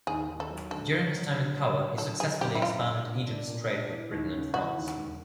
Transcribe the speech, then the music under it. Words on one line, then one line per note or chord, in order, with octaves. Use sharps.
During his time in power, he successfully expanded Egypt's trade with Britain and France.
D#2 G#4
D#2
A4
F#3
D3 A4
F#3
F#3
D3
F#3
F#3
D3 A4
F#3 G#4
F#2 G4
E4
A#2 F4
A#2
D4
D4
A#2
D4
E3
D#2
C#3
E3 F#4
D#2
E1